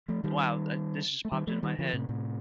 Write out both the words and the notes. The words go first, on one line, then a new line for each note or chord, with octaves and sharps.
Wow. Uh, this just popped in my head.
F3 A3
D#3 G3
A3
D#3 G3
F3 A3
D#3 G3
D3 F3
A2 C3
A2 C3